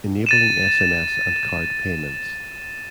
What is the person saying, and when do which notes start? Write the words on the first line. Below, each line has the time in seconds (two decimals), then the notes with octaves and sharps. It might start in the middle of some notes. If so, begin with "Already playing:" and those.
Enabling sms and card payments.
0.26 A6 D#7 E7